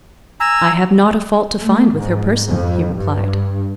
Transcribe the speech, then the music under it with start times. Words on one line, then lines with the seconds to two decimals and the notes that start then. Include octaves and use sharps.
"I have not a fault to find with her person," he replied.
0.40 G#5 A#5 E6
1.60 A3
1.97 G#2
2.49 F2
2.98 G2